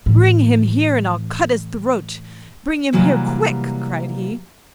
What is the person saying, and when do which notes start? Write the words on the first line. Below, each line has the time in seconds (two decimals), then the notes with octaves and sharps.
'Bring him here, and I'll cut his throat! bring him here quick!' cried he.
0.06 A2 E3
2.93 C3 E3 F#3 G3 A#3